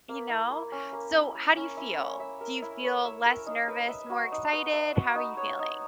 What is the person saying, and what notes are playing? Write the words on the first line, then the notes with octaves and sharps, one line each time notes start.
You know? So how do you feel? Do you feel less nervous, more excited? How are you feeling?
A#3
E4
A#3
C#4
A#3
E4
A#3
C#4
E4
C#5
E5
A#4
E4
C#5
E5
A#4
D#4
B4
E5
F#4
D#4
B4
E5
F#4
D#4
C#5
D#4